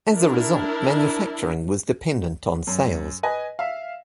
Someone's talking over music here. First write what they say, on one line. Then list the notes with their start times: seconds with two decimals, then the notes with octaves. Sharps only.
As a result, manufacturing was dependent on sales.
0.13 D4 E4 A#4
2.67 F#2
3.23 B4 D#5 G#5
3.59 E5 F5